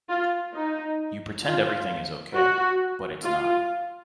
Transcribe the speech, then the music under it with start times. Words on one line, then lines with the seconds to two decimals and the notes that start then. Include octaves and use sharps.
You pretend everything is okay, but it's not.
0.10 F4
0.54 D#4
1.44 F4
2.34 F#4
3.23 F4